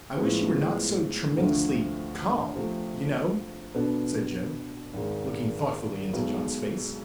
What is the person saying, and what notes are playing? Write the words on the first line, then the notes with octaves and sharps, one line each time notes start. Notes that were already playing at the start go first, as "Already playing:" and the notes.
"I wish you were not so tremendously calm, you know," said Joe, looking thoughtfully into John's face.
A2 F3 G#3 B3
D2 D3 F3 A3 C4
C3 F3 A3
B2 B3 D4 A4
G#1 G#2 G#3
B1 B2 G#3